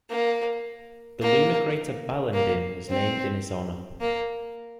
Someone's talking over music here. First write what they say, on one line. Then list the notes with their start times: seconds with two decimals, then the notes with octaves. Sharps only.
The lunar crater Balandin was named in his honour.
0.10 A#3
1.22 A#3
2.34 A#3
2.89 C4
4.01 A#3